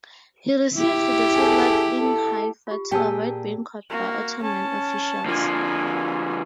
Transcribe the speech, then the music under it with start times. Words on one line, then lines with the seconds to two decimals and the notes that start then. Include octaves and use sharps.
He received the tablet in Haifa to avoid being caught by Ottoman officials.
0.75 E4 G4
1.36 G#4 A4
1.98 A4
2.67 F4 G4
2.91 A#2 G4 G#4 G5 A5 E6
3.90 A#3 F#4
4.42 C#4 A5
5.26 D3 F3 A#3 G#5